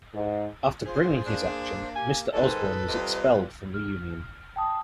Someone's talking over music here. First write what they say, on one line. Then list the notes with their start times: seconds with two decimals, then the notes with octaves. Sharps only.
After bringing his action, Mr Osborne was expelled from the union.
0.14 G#2
0.86 F4 G#4 C5
1.26 A#3 D4
1.96 G4 G#5
2.34 G#2 D#3 A4 B4 C5 G#5
2.88 C3 G3 F4 D#5
3.74 F6
4.56 G5 A5 D#6